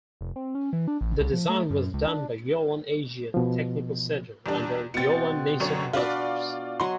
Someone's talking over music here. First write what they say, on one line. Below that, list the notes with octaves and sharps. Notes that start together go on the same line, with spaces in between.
The design was done by Yulon Asia Technical Center under Yulon-Nissan Motors.
F1
C4
C#4
E3
D4
A1
C2
F3
A3
F#2
C#2
D4
B2 F3
E2 G3 D4
B2 C4 A6 C#7
F#2 D3 C#5
D4 F4 F#4 B4 D5
F#3 D#5 C6